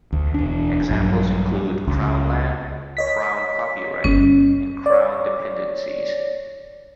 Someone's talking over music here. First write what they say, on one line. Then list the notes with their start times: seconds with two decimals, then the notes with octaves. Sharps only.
Examples include Crown land, Crown copyright, and Crown Dependencies.
0.12 D2
0.34 E1 D4
0.89 A#1 G2 F#3
1.87 C#2
2.97 C#5 D#5 B6
4.04 G1 C#4
4.86 C#5 D5